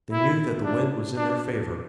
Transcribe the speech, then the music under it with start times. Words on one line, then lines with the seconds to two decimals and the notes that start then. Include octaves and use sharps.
They knew that the wind was in their favor.
0.12 E4
0.65 D4
1.17 D4